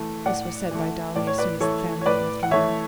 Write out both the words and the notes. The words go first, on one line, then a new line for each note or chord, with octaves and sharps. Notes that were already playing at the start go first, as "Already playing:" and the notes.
This was said by Dolly as soon as the family had withdrawn.
Already playing: E3 A3
A2 D5 F#5
E3 A3
A2 D5
C#5
B4 D5
E3 A3 A4 C#5
C#5
A2 B4 D5
F#5
E3 A3 C#5 E5